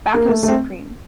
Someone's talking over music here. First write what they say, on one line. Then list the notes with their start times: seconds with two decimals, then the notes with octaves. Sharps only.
Bathos supreme.
0.14 A#3
0.29 A3
0.43 A3
0.48 C4